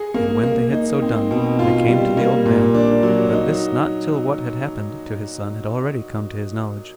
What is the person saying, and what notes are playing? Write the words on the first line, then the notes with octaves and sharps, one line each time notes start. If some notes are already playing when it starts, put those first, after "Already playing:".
And when they had so done, they came to the old man, but this not till what had happened to his son had already come to his knowledge.
Already playing: G#4
A#3
A#3
D#4
C4
B2
F4
G3
A#3
A#2
D4
F#3
D#4